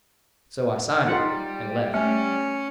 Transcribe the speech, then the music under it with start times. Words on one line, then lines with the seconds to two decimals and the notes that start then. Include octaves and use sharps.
So I signed it, and left.
1.07 G3 D#4 F4 F#5
1.94 A3 C#4